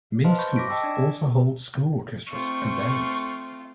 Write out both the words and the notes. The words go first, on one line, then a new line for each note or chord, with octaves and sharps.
Many schools also hold school orchestras and bands.
B4 C5 D#5 F5 A5 C6
B5 C#6 G6
D6 A#6 B6 D7
D#5 G5 A5 E6
D4 D5
D5
A3 C4 F4 C#6